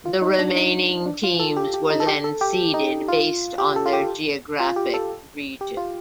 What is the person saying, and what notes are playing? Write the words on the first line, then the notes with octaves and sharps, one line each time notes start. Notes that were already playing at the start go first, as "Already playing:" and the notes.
The remaining teams were then seeded based on their geographic region.
F4
D#4
D4
D#4
D4
F4
A4
G4
G4
D#4
A4
G4
A4
G4
D#4
F4
G4
A4
F4
G4
F4
G4
A4
G4
F4